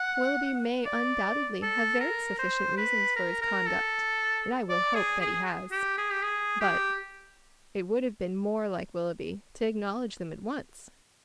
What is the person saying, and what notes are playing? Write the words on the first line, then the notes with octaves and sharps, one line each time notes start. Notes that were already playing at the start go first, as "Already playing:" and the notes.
Willoughby may undoubtedly have very sufficient reasons for his conduct, and I will hope that he has. But it would have been more like Willoughby to acknowledge them at once.
Already playing: F#5
D5
A4
A#4
C5
B4
A#4
A#4
A4
D5
G#4
G#4
G4
G#4
G4
G#4
G4